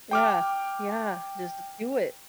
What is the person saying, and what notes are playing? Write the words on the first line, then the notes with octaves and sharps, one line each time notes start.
Yeah. Yeah, just do it.
G5 D6 F6